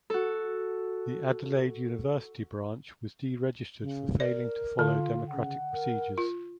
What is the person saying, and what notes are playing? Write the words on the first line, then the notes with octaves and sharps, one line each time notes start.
The Adelaide University branch was deregistered for failing to follow democratic procedures.
F#4 A4
C#3
A#4 D5
D3 F4
C#3 F#5
A#4
F4